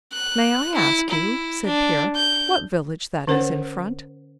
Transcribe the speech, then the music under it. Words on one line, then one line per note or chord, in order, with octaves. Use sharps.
"May I ask you," said Pierre, "what village that is in front?"
F#6
E4
E4
D4
G6
D3 C#4 A#4 C5 C#5 F#5